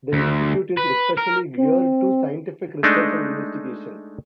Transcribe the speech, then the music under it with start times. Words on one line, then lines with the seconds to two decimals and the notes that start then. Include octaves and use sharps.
The Institute is especially geared to scientific research and investigation.
0.13 D2
0.77 B4
1.18 A#4
1.58 C4
2.83 G#3 A3 D4 D#4